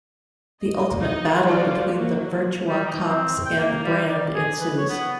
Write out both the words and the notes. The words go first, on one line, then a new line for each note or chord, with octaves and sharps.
The ultimate battle between the Virtua Cops and Brand ensues.
D#5
D#4 D#5
F3 G3 F4 F#4 C5 D5
F#3 A#3
G3
D#4
C4
G5
A#3
G3
D5
G#4
B4
C#5
B3